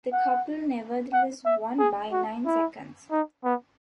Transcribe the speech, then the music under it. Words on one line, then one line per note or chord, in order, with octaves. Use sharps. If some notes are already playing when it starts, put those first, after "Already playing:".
The couple nevertheless won by nine seconds.
F#5
F#5
E5
G#4
F#4
E4
D#4
B3